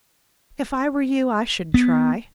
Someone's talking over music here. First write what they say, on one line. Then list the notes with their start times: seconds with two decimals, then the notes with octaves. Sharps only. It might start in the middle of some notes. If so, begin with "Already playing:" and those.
If I were you, I should try.
1.74 B3